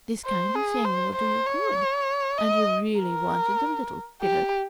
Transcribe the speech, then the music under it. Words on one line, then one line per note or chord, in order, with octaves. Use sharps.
'This kind of thing will do you good; and you really wanted a little fillip.
C5
G#4
C5
C5
C#5
D#5
A#4
G4